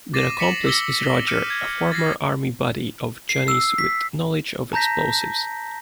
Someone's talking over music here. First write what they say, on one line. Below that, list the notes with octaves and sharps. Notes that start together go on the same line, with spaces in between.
Their accomplice is Roger, a former Army buddy of Johnny's with knowledge of explosives.
D6 A6 A#6 C7 D#7 E7
B6 C#7 E7 F#7
D6 E6 A#6 B6 F#7 G7
E6 F6 G6 C#7 D#7
G#6
A6 A#6 C7
C7
E6
B6
A5 A#5 G6 A#6 B6